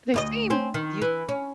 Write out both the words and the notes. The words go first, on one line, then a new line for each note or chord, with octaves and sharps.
They seem you
D2 D#4 D#5
C4 C#4
D#3
E3
C#4